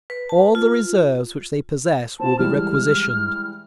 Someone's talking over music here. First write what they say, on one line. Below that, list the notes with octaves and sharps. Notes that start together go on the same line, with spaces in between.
All the reserves which they possess will be requisitioned.
B4
A5
F4
C4 F4 A5
E3 G3 G#3 F6